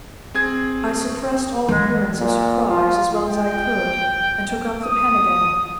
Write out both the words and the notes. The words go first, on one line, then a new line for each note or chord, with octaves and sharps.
I suppressed all appearance of surprise as well as I could, and took up the pen again.
C4 G#4 G#6
E2 E3 G#3
A#2
F4
G5
D#6